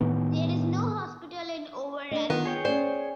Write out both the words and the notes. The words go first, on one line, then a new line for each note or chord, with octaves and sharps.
There is no hospital in Overath.
A2 D#3 B3
D4 D#5
D#3 B3 F4
G#4 C#5 G5
C#4 C5 D5